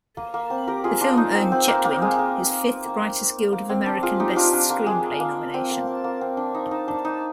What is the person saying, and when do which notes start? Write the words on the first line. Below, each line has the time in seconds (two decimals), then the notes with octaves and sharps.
The film earned Chetwynd his fifth Writers Guild of American "Best Screenplay" nomination.
0.17 A#3
0.34 A#3
0.50 C4
0.67 G4 A#4
0.84 F4 G#4
1.01 D4 F4
1.17 D#4
1.35 C4
1.52 C4
1.68 A#3
1.85 A#3
2.02 G#3
2.19 A#3
2.85 A#3
3.52 A#3
3.69 C4
3.86 D4
4.03 F4 G#4
4.20 D#4 G4
4.36 D4 F4
4.53 D4
4.70 A#3
4.86 G#3
5.20 A#3
5.54 C4
5.71 A#3
5.87 A#3
6.04 A#3
6.21 C4
6.37 D4
6.54 D#4
6.71 D#4
6.88 D4
7.05 D#4